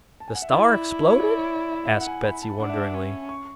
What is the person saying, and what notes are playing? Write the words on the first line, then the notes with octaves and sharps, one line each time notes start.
"The star exploded?" asked Betsy wonderingly.
A5
G#5
F#5
E5
E4 D5
C#5
D5
C#5
D5
E5
E5
F#5
F#5
G#5
B5
A5
D4 F#5
E5
F#5
C#4
C#6